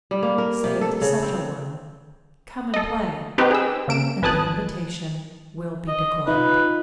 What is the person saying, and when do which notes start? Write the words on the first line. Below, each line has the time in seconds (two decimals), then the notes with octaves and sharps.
Say to such a one, "Come and play," and the invitation will be declined.
0.11 G3
0.23 A#3
0.38 A#4
0.64 C3
0.81 A4
1.02 C#3
1.23 C4
2.74 A4 D#5
3.38 C4 D#4 G4 B4 C5 G5
3.51 G#4 E6
3.88 C#3 A#3 D7 E7
4.22 G#1 B4 G#5 A5 D#6 F#6
5.88 D#5
6.27 D#4 F4 B4